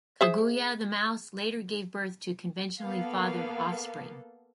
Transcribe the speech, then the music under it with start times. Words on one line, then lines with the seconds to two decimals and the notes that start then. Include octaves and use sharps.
Kaguya the mouse later gave birth to conventionally fathered offspring.
0.21 G#4 C5 E5
2.81 A#3 B3 A4 F5